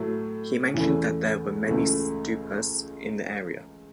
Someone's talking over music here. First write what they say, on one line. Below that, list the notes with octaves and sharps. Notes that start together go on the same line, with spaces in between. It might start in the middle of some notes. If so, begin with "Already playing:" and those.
He mentioned that there were many stupas in the area.
Already playing: A2 F#3 A3
E2 C#3 E3 A3
C#2 C#3 E3 A3